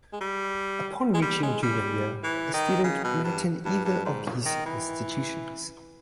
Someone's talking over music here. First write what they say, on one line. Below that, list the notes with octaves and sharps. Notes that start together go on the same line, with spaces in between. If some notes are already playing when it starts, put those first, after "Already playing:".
Upon reaching junior year, a student may attend either of these institutions.
G#3
G3
G#3
G3
G#3
G3
E3
D#3
C#3
B2
G2
G2
G2
G#2
D#3
E3